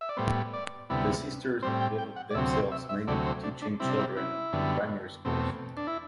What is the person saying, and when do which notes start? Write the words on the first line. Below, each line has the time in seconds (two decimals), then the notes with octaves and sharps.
The sisters devote themselves mainly to teaching children in primary schools.
0.01 E5
0.09 D5
0.17 A2 G3 B3 C5
0.54 D5
0.90 D2 C3 G3 B3 E4
1.62 A2 G3 C4 C5
1.80 G5
1.98 G5
2.16 F#5
2.31 D5
2.35 D2 C3 F#3 C4 E5
2.53 C5
2.72 E5
2.89 E5
3.08 D2 C3 F#3 A3 D5
3.26 C5
3.44 D4
3.62 D4
3.80 C3 G3 C4 E4
3.90 D4
3.99 E4
4.17 E4
4.53 F#2 D3 G3 B3
5.25 E2 B2 A3 C4
5.77 D4
5.87 E4